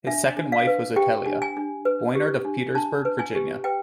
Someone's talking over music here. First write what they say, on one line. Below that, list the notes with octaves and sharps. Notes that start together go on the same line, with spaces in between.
His second wife was Otelia Voinard of Petersburg, Virginia.
D4 E5
D4
F5
B4
G4 G5
D4
G#5
D4
B4
G4
D4
D4 A5
B4
G#5
G4
B4 G5